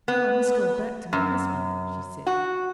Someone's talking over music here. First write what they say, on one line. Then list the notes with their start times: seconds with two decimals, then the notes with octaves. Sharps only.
"Now I must go back to my husband," she said.
0.08 B3
1.13 F#2
2.27 F#4